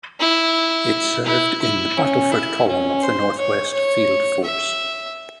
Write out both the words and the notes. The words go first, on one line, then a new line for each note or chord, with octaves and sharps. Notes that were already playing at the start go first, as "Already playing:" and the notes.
It served in the Battleford Column of the North West Field Force.
E4
E4
E4
C#4
E4
C#4
C5
C#5
C#5
E5